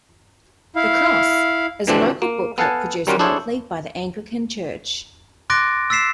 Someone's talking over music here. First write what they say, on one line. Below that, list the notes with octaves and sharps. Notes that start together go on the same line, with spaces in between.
"The Cross" is a local booklet produced monthly by the Anglican church.
E4 F5
B2 D3 E3 F3 C4 D4
A#3
B3 A4 F5 F#5 G#5 A5
D#2 G3 A#3 C#4 F4 F#4
D4 E4 G#4 A4 C5 C#5
C6 D6 F#6 A6 A#6 D7
E6 A6 B6 C7 E7